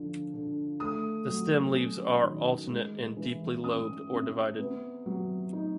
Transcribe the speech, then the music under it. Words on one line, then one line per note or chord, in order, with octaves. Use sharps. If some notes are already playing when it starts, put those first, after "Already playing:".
The stem leaves are alternate and deeply lobed or divided.
Already playing: D3 F3
D3
A3 D#6
F#3
C#4
D#3
G#3
E3
C#4 D#6
C3
B3
F#3
D#4